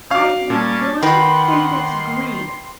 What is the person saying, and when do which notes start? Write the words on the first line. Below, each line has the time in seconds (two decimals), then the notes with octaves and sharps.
"I eat one thing that's green."
0.11 F#3 F5 D6
0.50 A#2 G3 C#4 A5
1.02 D#3 G4 A#4 B4 F#5 C6